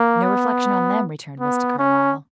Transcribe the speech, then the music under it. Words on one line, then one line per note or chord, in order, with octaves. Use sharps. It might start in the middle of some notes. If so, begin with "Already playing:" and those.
"No reflection on them," returned Mr. Carlyle.
Already playing: A#3
B3
B3
C#4